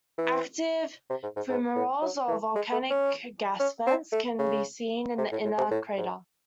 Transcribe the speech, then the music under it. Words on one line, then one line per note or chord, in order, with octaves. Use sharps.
Active fumaroles, or volcanic gas vents, can be seen in the inner crater.
E3
C3
G#2
G#2
G#2
A2
F#3
E3
G#3
A3
C#4
C#4
C4
A3
C#3
C3
A2
A2
C3
A2
G#2